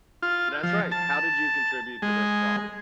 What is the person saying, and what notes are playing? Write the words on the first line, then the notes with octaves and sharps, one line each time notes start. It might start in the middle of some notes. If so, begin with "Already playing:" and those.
That's right. How did you contribute to this problem?
F4
F3
A5
G#3